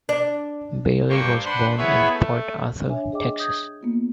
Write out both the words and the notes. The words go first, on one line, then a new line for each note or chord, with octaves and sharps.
Bailey was born in Port Arthur, Texas.
D4
G2 A#3 C5 G5 C#6
D4 B4 C5 F#5 C6
B3 E4 G#4 B4 C#5 E5
A3
D4 C#5 E5 G#5
G#4 D#5 G5 D6
D#6 G6 G#6
A#3 B3 F4